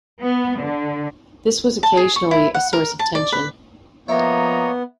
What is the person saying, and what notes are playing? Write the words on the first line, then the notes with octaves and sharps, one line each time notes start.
This was occasionally a source of tension.
B3
D3
A5
G#4
C#6
E4
F#5
A#4
A5
D5
B4
F3 A#3 B3 E4 C#5 D#5 G5 A#5